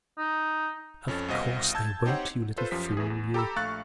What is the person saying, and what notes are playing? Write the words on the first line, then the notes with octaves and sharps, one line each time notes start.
"Of course they won't, you little fool, you."
D#4
F2 C#4 A4 A6
C2 B2 C5 D#5 F5 B6
A5 E6 G6 G#6
C4 D#4 G4 C5 C#5 F#5
F4 A4 B4 C5
F#2 F3 F4 G4 B6
E2 E3 G#4
E2
G4 A4 A#5 B5 E6
A#1 A3 F5 C#6 F#6 A6